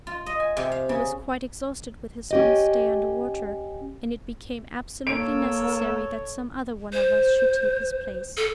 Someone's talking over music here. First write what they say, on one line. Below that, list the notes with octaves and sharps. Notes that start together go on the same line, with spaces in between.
He was quite exhausted with his long stay under water, and it became absolutely necessary that some other one of us should take his place.
F4
D#5
G#5
C3
F5
C#3
C#4 G4 D#5
A#3 A4 C#5 E6 D7
C5
A4